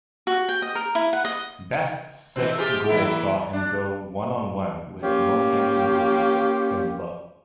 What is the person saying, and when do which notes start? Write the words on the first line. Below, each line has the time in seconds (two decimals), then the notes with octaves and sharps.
Best's sixth goal saw him go one on one with Northampton goalkeeper Kim Book.
0.27 F#4
0.49 G5
0.62 D#5
0.75 A#4
0.95 E4
1.13 F#5
1.25 D#5
2.36 B2 E3 C4
2.58 F4 G4 G#4
2.89 E3 A#3 E4
3.53 D4
5.01 A#3 C#4 F4 G4